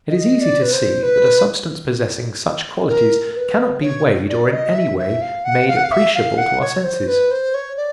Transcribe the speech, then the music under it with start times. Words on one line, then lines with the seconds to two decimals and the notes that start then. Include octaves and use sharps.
It is easy to see that a substance possessing such qualities cannot be weighed or in any way made appreciable to our senses.
0.09 D#5
0.41 D5
0.62 B4
0.72 C5
1.03 B4
2.88 A#4
3.35 B4
3.82 C#5
4.29 D5
4.52 D#5
4.75 E5
4.99 E5
5.22 F5
5.45 F#5
5.68 F5
5.76 F#5
5.84 F5
5.92 E5
6.15 F5
6.38 F#5
6.61 C#5
6.84 C5
7.08 B4
7.31 C5
7.54 C#5
7.77 D5